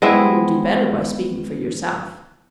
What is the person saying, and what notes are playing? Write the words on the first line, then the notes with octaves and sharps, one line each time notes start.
"You will do better by speaking for yourself."
G#3 B3 C4 E4